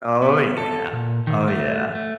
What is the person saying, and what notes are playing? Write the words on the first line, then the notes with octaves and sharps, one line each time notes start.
Oh, yeah. Oh, yeah.
B3
A4
A#2
D#3
A3
A3